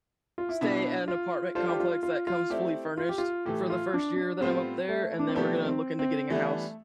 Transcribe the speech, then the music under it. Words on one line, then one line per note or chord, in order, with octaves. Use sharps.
stay at an apartment complex that comes fully furnished for the first year that I'm up there, and then we're gonna look into getting a house.
F4
E4
B2 B3 D4 E4
F4
G3 D4 F4 A4 C5
G4
F4
F4
F4
A3 C4 E4 G4 D5
F4
G4
F4
A2 E3 A3 G4
F4
D4
D4
A2 G3 B3 C4 F4 C5
A3
D4
C4
C3 F3 A3 B3 D4 G4
C4
C4
E3 G3 A3 B3 D4